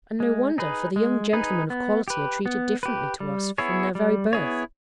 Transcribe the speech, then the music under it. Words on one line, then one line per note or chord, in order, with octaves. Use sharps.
And no wonder, for the young gentlemen of quality are treated differently to us from their very birth.
G#3
D#4 G#4 B4
G#3
D#4 G#4 B4
B3
G4 B4
B3
G4 B4
G3
B3 E4 G#4 C#5
G3
B3 E4 G#4 C#5